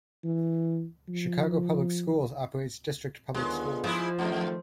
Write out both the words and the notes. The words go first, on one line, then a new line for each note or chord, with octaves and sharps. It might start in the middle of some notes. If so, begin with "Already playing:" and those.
Chicago Public Schools operates district public schools.
E3
F3
D#2 D3 G#3 B3 F4
F3 G#3 E4
F2 D#3 A3